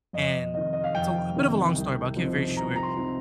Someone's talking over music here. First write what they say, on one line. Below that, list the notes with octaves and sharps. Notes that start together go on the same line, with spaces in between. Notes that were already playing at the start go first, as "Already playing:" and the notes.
and it's a l a bit of a long story, but I'll keep it very short.
F2 D#5
C3 D#3 D#5
D#5
F5
F2 G5
C3 D#3
C2
C3 F3 C4 D#4
C2 A#5
A#5
C6
C3 F3 C4 D#4